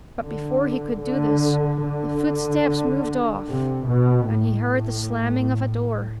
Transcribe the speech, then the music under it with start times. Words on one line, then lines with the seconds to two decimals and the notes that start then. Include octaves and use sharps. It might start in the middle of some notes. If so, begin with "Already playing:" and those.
But before he could do this the footsteps moved off and he heard the slamming of a door.
0.21 D3
1.02 D3
1.83 D3
3.48 C3
3.88 B2
4.29 A2